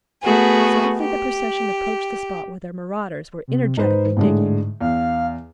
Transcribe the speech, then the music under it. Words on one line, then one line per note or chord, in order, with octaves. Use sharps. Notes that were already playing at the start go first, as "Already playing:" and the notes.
Softly the procession approached the spot where the marauders were energetically digging.
A3 B3 F#4 G#4
G4
C3
G#2 D#4 B4 C5
A2 D3 G#3
E2 F5